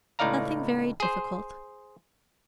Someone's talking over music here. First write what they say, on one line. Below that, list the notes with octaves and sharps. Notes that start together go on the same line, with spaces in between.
"Nothing very difficult."
C#2 A2 D#4 D5 F5 A#5
G#4 C5